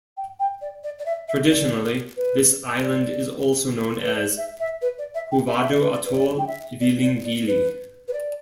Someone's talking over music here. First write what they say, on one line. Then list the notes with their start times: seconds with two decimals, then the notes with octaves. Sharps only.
Traditionally this island is also known as 'Huvadu Atoll Vilingili'.
0.17 G5
0.39 G5
0.61 D5
0.83 D5
0.99 D5
1.05 E5
1.28 E5
1.50 D5
2.16 B4
2.82 D5
4.01 B4
4.15 D5
4.37 E5
4.59 E5
4.81 B4
4.98 D5
5.14 E5
5.31 G5
5.47 E5
5.61 E5
5.70 D5
5.81 B4
5.93 D5
6.05 B4
6.14 D5
6.38 G5
6.47 E5
6.80 D5
7.02 D5
7.24 D5
7.47 B4
8.08 B4
8.13 D5